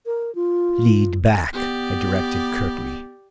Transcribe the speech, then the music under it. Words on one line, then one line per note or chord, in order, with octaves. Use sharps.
"Lead back," I directed curtly.
A#4
F4
B3 G4 D5